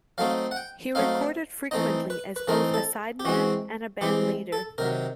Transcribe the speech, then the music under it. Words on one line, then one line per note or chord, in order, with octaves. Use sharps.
He recorded frequently as both a sideman and a bandleader.
F#3 A3 C4 D#4 F5
F#5
G5
F#3 A3 C4 D#4 F5
E3 A3 C4 D#4 D#5
B4
B4
E3 A3 C4 D#4 A#4
A4
G4
E3 G#3 C4 F#4
E3 G#3 C4 G4
A4
C3 D#3 F#3 A#4